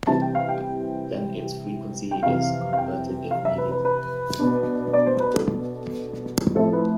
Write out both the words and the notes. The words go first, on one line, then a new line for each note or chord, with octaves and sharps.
Then its frequency is converted if needed.
C3 E3 G3 C4 E4 A5
G5
F5
G5
G5
F2 C3 E3 F5
F5
G5
F5
E5
B4
B4
B4
B2 B3 D4
D5
C5
B4
A4
A2 F3 C4 E4 A4
B4